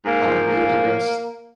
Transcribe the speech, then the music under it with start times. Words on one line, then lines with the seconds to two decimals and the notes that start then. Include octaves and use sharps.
um, Neil deGrasse
0.05 G#2 A#3
0.25 F3
0.45 G#2
0.65 F3